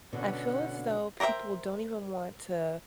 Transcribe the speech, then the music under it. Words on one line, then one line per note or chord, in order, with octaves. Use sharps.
I feel as though people don't even want to,
B2 D3 C#4 F#5
A#4 C5 D5 E5 G5